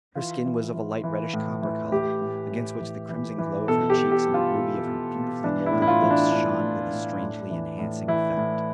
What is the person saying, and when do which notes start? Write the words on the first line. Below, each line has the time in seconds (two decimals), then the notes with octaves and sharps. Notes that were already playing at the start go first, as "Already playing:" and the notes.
Her skin was of a light reddish copper color, against which the crimson glow of her cheeks and the ruby of her beautifully molded lips shone with a strangely enhancing effect.
0.15 E3 F4
0.45 E3
0.75 E3
1.03 E3
1.33 A2
1.62 E3
1.91 A2 G4
2.22 A2
2.50 A2
2.80 E3
3.09 E3
3.38 E3
3.68 B2 A4
3.90 G4
3.97 B2
4.12 G4
4.26 B2
4.34 F4
4.57 B2
4.85 B2
5.15 B2
5.44 E3 D4
5.66 E4
5.73 A2
5.82 E4
5.88 F4
6.02 E3
6.10 D4
6.32 A2 D4
6.62 E3
6.90 A2
7.21 A2
7.50 E3
7.78 A2
8.08 E3 E4
8.37 A2